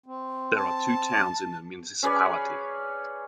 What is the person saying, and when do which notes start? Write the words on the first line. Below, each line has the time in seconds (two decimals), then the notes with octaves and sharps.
There are two towns in the municipality.
0.06 C4
0.56 A5
2.03 C#4 G#4 B4 D5